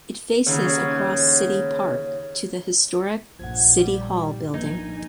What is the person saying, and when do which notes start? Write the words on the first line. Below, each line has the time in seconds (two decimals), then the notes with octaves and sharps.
It faces across City Park to the historic City Hall building.
0.46 D#2 C#3
3.39 A#1 G2 A#2 F3 F#5 G#6
3.77 G3
4.54 A#1 A2 F3 A#3 D4 D#4 G#5